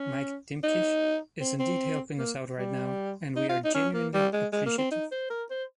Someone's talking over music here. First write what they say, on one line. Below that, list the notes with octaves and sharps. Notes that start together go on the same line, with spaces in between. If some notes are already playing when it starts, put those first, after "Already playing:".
Mike Dimkich is indeed helping us out right now, and we are genuinely appreciative.
Already playing: C#4
D#4
C4
C4
A#3
G3
D#4
F4
D#4
C#4
A#3
G3
G#3
G#3
A#3
C4
D#4
C5
A#4
C5